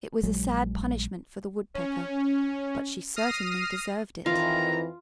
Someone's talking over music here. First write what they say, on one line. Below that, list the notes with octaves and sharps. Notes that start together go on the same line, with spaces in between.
It was a sad punishment for the Woodpecker, but she certainly deserved it.
A#1 F#3 G#3
C#4
D#6 F6 A#6 C7 D#7
F2 D#3 E3 F4 A#5